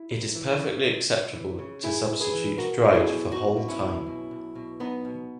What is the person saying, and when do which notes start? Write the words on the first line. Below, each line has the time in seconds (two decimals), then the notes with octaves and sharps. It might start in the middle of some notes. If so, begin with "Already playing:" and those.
It is perfectly acceptable to substitute dried for whole thyme.
Already playing: E4
0.10 C#2
0.35 E3
0.59 C#3
0.84 C#2
1.09 C#2
1.33 E3
1.59 C#3
1.83 C#2 E4 G#4
2.08 C#2
2.20 G#4 B4
2.33 E3
2.57 B2 F#4 A#4
2.82 B1 A#4
2.94 E4 G#4
3.07 B2
3.31 B1 D#4 F#4
3.56 B2
3.68 C#4 E4
3.81 B1
4.06 B2
4.31 B1
4.55 B2
4.80 B1 B3 D#4
5.05 B2